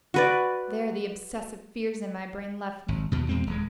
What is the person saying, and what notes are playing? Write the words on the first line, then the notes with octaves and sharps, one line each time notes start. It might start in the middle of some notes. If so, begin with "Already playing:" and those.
There the obsessive fears in my brain left me.
F#4 B4 D5
G#1
D#2 B2
E2 B2 G#3 C4
D#1 G#3